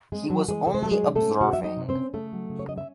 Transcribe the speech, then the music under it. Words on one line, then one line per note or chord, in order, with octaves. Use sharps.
He was only observing.
G#3 C4 G#4
E3 F#3 F#4
E3 G#3 G#4
C3 A4
C5
F#3 A3 A4
G#3 G#4
C3
A3 A4
C#4
C3 F#4 F#5
F#3 E5
D#4 D#5
C3
C4 C5
C#4
C#3 A3 A4
F#3
C#3
C#5
C#4 D#5
E5